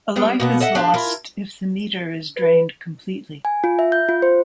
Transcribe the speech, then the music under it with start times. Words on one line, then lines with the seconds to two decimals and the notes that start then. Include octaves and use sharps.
A life is lost if the meter is drained completely.
0.15 G3 B3 D4 D#5
0.40 B2 A#3 B3
0.60 A4 D#5 E5 F#5
0.75 D4 G4 F5 A5
0.94 E4 F4 A#4
2.37 B4
3.45 G#5
3.64 F4
3.79 E5
3.92 G6
4.09 F4
4.22 C5